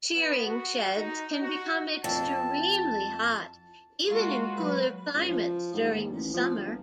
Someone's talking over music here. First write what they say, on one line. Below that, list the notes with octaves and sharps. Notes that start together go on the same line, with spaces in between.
Shearing sheds can become extremely hot, even in cooler climates, during the summer.
B3
F#4
D#4
F#4
F2 A5
G#3 A#3 F4 F#4
F#3 B4
C#2
F3
G#2
D#2
A1
F3
G1